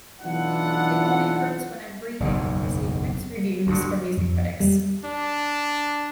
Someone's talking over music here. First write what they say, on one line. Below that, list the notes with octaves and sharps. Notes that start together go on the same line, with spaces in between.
"It Only Hurts When I'm Breathing" received mixed reviews from music critics.
B1 E3 D4 E4 F4 F#5
F#1 B1 E2
D2 G2
F2
G3
D4